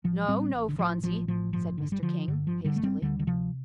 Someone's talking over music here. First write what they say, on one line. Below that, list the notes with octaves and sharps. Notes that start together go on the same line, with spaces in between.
"No, no, Phronsie," said Mr. King, hastily.
A1 F3
A2 G3 C4
A1
D3
A2 F3
A1 F3
A2 F3
G1 F3
G1 D3
G3
D3 F3
G2 D3
F3
G1
D3 G3
G1 A3
G3 C4
D2 D3 G3
D3
C3 F3